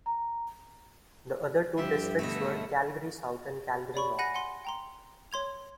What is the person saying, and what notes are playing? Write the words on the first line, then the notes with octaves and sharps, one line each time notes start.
The other two districts were Calgary South and Calgary North.
A#5
G2 F3 G4 E5
B2 D3 A3 B3 D#5 E5
C#5 D5 B5 C#6
F#5 G#5 B5 F#6 A#6 D#7
F#5 G#5 C6
G5 A#5 C6
C#5 C6 G#6 F7